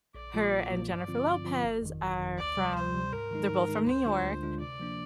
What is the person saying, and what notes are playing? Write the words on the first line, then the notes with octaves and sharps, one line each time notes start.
her and Jennifer Lopez are from they're both from New York,
A#1 D5
A#2 F3 A#3 F4
A#1
A#2 F3 A#3 F4
G2 D5
D3 F3 C4 F4
G2
D3 F3 C4 F4
G1
F2 D#3
G1
F2 D#3
D2 D5
C3 G3
D2 C5
C3 G3
G#2 A#4
D#3 G#3 D#4
G#2
D#3 G#3 D#4
D2 C5
D3 G#3 D4 F4
D2
D3 G#3 D4 F4
C3 D5
F3 A#3 D4